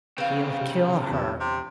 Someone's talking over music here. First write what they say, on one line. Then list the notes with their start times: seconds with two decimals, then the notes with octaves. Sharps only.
"He'll kill her!"
0.18 C#3 B3 C4 F5
0.61 C3
1.11 E2 G2
1.40 C3